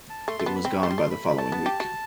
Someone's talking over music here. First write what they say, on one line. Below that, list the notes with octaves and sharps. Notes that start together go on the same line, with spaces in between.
It was gone by the following week.
A5
A3 C6
A3
B3 A5
B5
C4
A3 C6
G3
A3
B5
B5
A3 A5
B3
G4
F#4